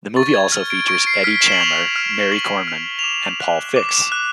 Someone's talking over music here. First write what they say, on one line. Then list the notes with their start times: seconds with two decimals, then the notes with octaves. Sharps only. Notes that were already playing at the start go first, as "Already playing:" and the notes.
The movie also features Eddy Chandler, Mary Kornman, and Paul Fix.
0.16 C#6 A6
0.34 G#6
0.52 F6
0.70 D7
0.88 C#6 D7
1.07 C7
1.24 F6 B6
1.42 E7
1.52 F#7
1.60 C#6 F7
1.96 F6
2.32 C#6 F#7
2.67 F6 F7
2.99 F7
3.04 D6 E7
3.40 F#6
3.76 D6
4.12 F#6